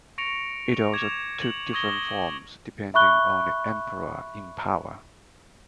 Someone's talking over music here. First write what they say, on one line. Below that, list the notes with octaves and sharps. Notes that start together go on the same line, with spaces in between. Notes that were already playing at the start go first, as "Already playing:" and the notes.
It also took different forms depending on the emperor in power.
C#6 A#6 C#7 D7 F7
D6 G#6 E7 F7
F#7
C#6 D#6 G#6 A#6 G7
E5 B5 C#6 F#6 G7